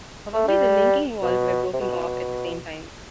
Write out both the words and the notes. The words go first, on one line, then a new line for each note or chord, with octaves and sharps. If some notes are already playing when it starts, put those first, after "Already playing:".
Probably the linking walls were broken off at the same time.
A3
G3
B2
C3
B2